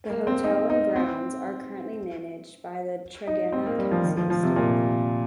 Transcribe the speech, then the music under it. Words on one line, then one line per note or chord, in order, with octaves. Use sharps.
The hotel and grounds are currently managed by the Tregenna Castle Estate.
A#3
C4
D#4
D#4
C4
D#4
C4
A#3
G3
F3
D#3
F3
F3
C3
A#2